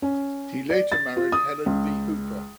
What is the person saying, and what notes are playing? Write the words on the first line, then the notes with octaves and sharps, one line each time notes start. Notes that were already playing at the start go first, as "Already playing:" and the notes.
He later married Helen V. Hooper.
C#4
D5
A6
F4
D#6
C#2